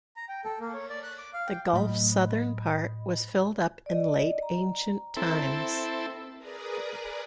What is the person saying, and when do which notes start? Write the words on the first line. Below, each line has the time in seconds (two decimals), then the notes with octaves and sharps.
The gulf's southern part was filled up in late ancient times.
0.16 A#5
0.29 G5
0.45 A4
0.60 A#3
0.74 C#5
0.90 D5
1.03 F#6
1.18 D6
1.34 F5
1.47 G5
1.73 A2 F#3 D#5 B5
3.86 D5 D#5
4.42 A#5
5.17 C4 E4 A4
6.38 G#4 A#4 B4 D5 A#5 D#6